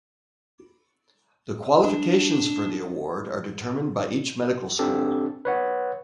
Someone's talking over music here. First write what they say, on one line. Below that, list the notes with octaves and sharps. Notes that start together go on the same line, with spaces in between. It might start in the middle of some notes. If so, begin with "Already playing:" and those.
The qualifications for the award are determined by each medical school.
D4
C4 D4 G4 A4
B4 C#5 F#5